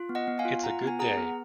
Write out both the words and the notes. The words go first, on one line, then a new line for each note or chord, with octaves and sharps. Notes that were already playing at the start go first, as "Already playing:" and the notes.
It's a good day.
Already playing: F4
B3
D#5 F#5
B3
F5 G#5
F4
F4 F#5 A#5
B3
G#5
G#4 F#5 A#5
B3